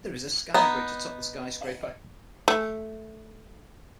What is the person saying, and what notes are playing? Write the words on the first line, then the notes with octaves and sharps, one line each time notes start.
There is a skybridge atop the skyscraper.
B3 D#4
A3